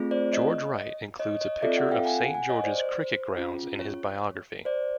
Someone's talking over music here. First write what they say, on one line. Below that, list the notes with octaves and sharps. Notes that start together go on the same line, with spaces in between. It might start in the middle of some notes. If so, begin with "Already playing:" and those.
George Wright includes a picture of Saint George's cricket grounds in his biography.
Already playing: A3 C4 F4 G#4
C5 D5
C#5 D#5
C#5 D#5
C#5 D#5
C4 F4 A4 D5 E5
E5 F#5
F5 G5
F#5 G#5
F#5 G#5
C#5 D#5
C5 D5
C5
C#4 F4 G#4
C#5
C5 D5